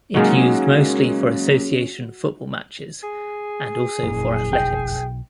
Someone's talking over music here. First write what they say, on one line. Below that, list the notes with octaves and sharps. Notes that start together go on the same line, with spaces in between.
It used mostly for association football matches and also for athletics.
C#3 F#3 G#3 A#3 D#4 F#4
G#4
F#1 F2 A#2 A#3
B1 G5